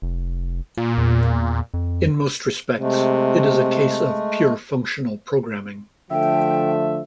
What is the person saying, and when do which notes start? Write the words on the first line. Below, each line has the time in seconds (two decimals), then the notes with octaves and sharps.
In most respects, it is a case of pure functional programming.
0.02 F1
0.78 A#2 F4
0.98 E2
1.74 F2
2.81 C3 G#3 A3
6.11 D3 F3 A3 E5 G5